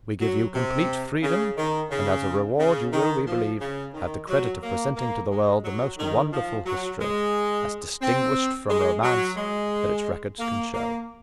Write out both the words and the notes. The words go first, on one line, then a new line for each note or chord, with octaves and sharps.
We give you complete freedom, and as a reward you will, we believe, have the credit of presenting to the world the most wonderful history, as distinguished from romance, that its records can show.
F#3
C3
C#3
D#3
C#3
C#3
D#3
F3
C#3
D#3
F#3
A#3
A#3
G#3
F#3
D#3
F3
F#3
G#3
C4
G#3
F#3
G#3
A#3
A#3